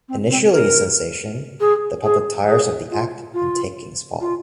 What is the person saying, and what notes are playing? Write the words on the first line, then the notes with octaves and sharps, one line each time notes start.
Initially a sensation, the public tires of the act and takings fall.
C4
C4
A#4
G#4
G#4
G#4
F4
F4
F4